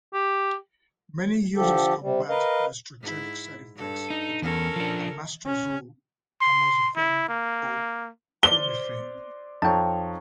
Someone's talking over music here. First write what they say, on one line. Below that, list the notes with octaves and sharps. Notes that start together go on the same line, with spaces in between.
Many users combat the estrogenic side effects with anastrozole, tamoxifen or clomifene.
G4
D3 F3 G4 A4
C3 G3
A#4 B4 D#5 F5
G#2 E4
G2 A4
D#4
E2 C#4 A4 A#4
F3 D4
C#4
C6
E4
A#3
C5 D5 G7
F2 D#4 C#5 G5 A5